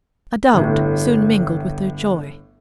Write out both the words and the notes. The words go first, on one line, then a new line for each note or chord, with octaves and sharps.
A doubt soon mingled with their joy.
G1 A2